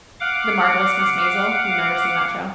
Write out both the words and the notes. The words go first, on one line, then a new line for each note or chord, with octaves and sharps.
"The Marvelous Mrs. Maisel"? You've never seen that show?
F5 F#5 D6